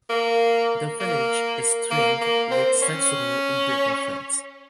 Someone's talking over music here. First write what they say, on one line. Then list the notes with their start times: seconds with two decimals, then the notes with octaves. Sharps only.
The village is twinned with Saint-Thuriau in Brittany, France.
0.10 A#3
1.00 A#3
1.91 A#3
2.21 A#3
2.51 C4
2.82 C#4